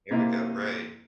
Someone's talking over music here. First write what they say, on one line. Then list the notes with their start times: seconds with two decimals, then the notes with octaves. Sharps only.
Here we go, right.
0.11 C3 A#3 D#4 E4 G4